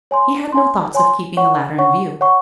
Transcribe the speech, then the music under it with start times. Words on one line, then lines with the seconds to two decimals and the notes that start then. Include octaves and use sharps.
He had no thoughts of keeping the latter in view.
0.11 C#5 G#5 C6
0.52 C#5 G#5 C6
0.94 C#5 G#5 C6
1.37 C#5 F#5 C#6
1.78 C#5 F#5 C#6
2.21 C#5 F#5 C#6